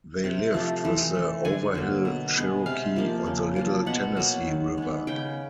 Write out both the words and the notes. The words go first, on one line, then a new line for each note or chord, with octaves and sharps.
They lived with the Overhill Cherokee on the Little Tennessee River.
C3
F3 A3
E3
A3
D3 G#5
F#3 A#3
B2
G#3 B3
C3 F5
F3 A#3
C#3
F3 A#3
B2 F#5
F#3 A#3
D#3
G#3 B3
C#3 G5